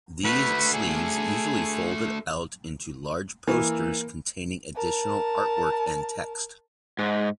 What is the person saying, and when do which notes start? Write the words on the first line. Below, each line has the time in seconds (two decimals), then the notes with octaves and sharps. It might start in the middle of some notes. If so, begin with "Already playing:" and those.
These sleeves usually folded out into large posters containing additional artwork and text.
0.25 A3 F#4 B4
0.74 G#4
3.48 E3 A#3
4.76 A#4 A5
6.99 G#2